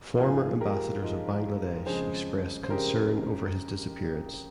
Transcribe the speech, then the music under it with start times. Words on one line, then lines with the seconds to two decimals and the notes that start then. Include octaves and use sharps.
Former Ambassadors of Bangladesh expressed concern over his disappearance.
0.18 G#2 F3 G#3 F4 G#4
0.61 G4 A#4
1.02 G#2 F3 G#3
1.86 F2 C#3 G#3 G#4 C5
2.64 C5
2.70 F2 C#3 G#3 G4 A#4